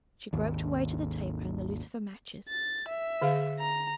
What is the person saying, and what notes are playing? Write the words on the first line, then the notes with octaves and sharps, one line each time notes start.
She groped her way to the taper and the lucifer matches.
G#1 D#2
A6
E5
D3 G#4 F5
A#5